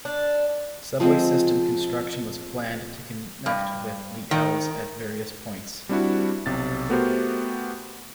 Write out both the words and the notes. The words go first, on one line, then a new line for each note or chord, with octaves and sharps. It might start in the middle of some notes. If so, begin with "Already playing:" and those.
Subway system construction was planned to connect with the els at various points.
D4
F3 G#3 C4
G2
D#3
G3 C4 D4 E4 F#4
B1 C3 A6
A3 B3 F#4 G4 A#4 C5